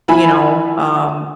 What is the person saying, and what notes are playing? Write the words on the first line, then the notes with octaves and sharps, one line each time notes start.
you know, um,
F3 E4 G#5 B5